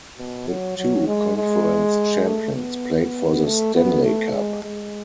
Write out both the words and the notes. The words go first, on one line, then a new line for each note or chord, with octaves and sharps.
The two Conference Champions played for the Stanley Cup.
B2
F#3
F#3
G#3
G#3
A3
B3
A3
B3
A3
G#3
G#3